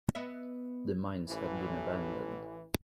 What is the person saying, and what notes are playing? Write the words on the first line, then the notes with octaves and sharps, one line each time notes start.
The mines had to be abandoned.
B3 D#5 E5
A1 E3